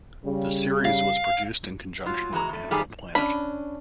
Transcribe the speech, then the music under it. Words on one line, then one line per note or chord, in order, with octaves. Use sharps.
The series was produced in conjunction with Animal Planet.
C#3 G3
F5
F#3 F4
E3 G#3 F#4 A#5
E2 A3
D#3 G3 A3 B3 G4 G#4
C#4 D4 B5